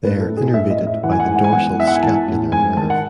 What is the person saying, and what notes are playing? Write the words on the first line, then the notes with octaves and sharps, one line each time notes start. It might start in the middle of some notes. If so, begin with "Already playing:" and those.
They are innervated by the dorsal scapular nerve.
A2 B4
A4
A2
G#4
A2 E5
D#5
A2
E5
E3 F#5
G#5
F#5
G#2 G#5
F#5
G#5
E2 F#5
E2 E5
F#5
G#5
E3 A5
A2
G#2 G#5
D#3 A5
F#5